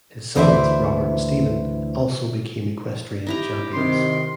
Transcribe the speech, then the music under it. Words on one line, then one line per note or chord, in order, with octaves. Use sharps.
His sons, Robert and Steven, also became equestrian champions.
D2 E3 C5 D5 E5
D#4 E4 G4 A#5
C3 D#3 C6